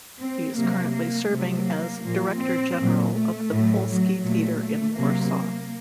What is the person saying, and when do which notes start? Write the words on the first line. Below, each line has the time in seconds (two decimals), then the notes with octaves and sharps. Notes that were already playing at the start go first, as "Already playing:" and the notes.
He is currently serving as director general of the Polski Theatre in Warsaw.
0.20 C4
0.56 C3 F#3 A#3
0.94 A#3
1.30 C3 F#3 A3
1.67 A#3
2.03 A#2 F3 A#3
2.40 C4
2.77 A#2 F#3
3.14 A3
3.50 A2 F#3
3.88 F#3
4.24 A#2 F#3 A3
4.61 A3
4.98 C3 F#3 A#3